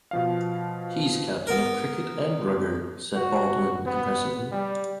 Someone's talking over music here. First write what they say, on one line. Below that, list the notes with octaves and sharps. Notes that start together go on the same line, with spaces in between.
"He's captain of cricket and Rugger," said Baldwin impressively.
B2 F3 F5
B3 A#4
F#4
B3
G3